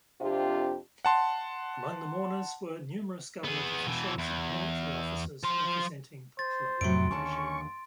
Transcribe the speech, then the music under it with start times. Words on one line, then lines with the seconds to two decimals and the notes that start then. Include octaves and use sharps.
Among the mourners were numerous government officials and military officers representing the Pahlavi regime.
0.21 F2 C3 D4 F4 G4
1.05 F#5 A5 C6
3.44 B3 G#4
3.86 B2 E3
4.19 E2
5.43 F3 C6
6.39 C5 A6
6.81 F2 A2 C3 F#3 C6 D7
7.11 D#2 D3 C#4 A5 C#6